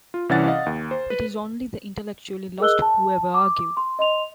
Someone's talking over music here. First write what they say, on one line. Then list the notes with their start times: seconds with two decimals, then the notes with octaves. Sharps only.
It is only the intellectually lost who ever argue.
0.14 F4
0.29 C2 E3 C#4 D5 F#5 A6
0.48 D#5 F5 F#5
0.66 D#2
0.91 C5
1.10 B4
2.60 G#4 A#4 D#5 E6 F#6 G7
2.82 A5
3.34 D6
3.77 C6
3.99 D#5 C6 F7